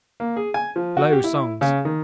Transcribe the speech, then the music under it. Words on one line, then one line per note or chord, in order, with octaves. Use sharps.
Low songs.
A#3
G#4
G#5
F3
F#4
G4
E4
C#3
D#3